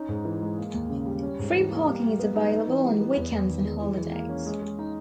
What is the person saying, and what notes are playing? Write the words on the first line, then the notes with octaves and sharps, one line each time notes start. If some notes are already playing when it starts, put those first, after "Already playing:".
Free parking is available on weekends and holidays.
Already playing: C#4 D#4
G#2
E3
G#3
A#3
D#2
C#3
G3
C#4
G#2
E3
A#3
G3
G3
B3
D#4
D#4
E3
G3
B3
E2
E2
D#3
G#3
E3
E3
A#3
C#4
G#3
G#3
D#4